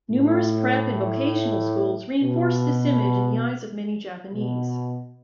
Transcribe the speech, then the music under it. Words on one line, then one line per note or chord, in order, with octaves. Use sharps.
Numerous prep and vocational schools reinforce this image in the eyes of many Japanese.
A2
B2
B2